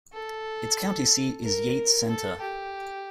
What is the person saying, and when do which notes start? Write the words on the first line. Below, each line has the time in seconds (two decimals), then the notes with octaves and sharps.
Its county seat is Yates Center.
0.13 A4
1.43 A#4
2.09 A4
2.41 G4